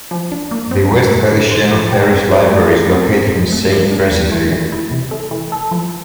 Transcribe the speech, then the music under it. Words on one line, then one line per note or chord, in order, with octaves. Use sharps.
The West Feliciana Parish Library is located in Saint Francisville.
F3
D4
A#3
C4
F2
A3
D3
C5
F3
G4
C4
C5
A3
F4
C4
C4
C3
A3
F3
D4
E2
A3
E3
E4
C3
A3
E3
A4
F3